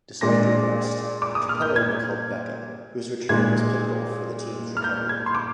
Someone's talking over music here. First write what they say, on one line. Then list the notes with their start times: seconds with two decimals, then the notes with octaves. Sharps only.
Despite the unrest, Capello recalled Beckham, whose return was pivotal for the team's recovery.
0.21 A#2 G#3 D4 A#6
1.22 D6
1.35 D#6
1.49 F6
1.62 G6
1.76 G#6
3.29 A#2 G#3 D#4 G#6
4.77 F6
4.84 G6
5.09 G#6
5.26 C6
5.35 D6